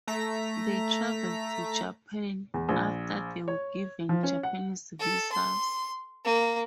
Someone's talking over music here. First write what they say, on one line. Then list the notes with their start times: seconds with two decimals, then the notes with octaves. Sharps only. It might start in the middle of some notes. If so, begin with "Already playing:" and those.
They traveled to Japan after they were given Japanese visas.
0.07 A3 A#5 B6
2.54 E2
2.69 A#1
3.48 C#5
4.09 F3
4.23 C#4
4.43 F#5
5.00 A4
5.32 C6
6.25 A#3